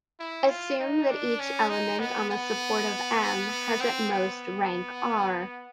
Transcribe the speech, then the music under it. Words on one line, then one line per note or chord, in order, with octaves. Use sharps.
Assume that each element on the support of "M" has at most rank "r".
E4
F4
D#4
D4
C#4
D#4
B3
B3
C4
B3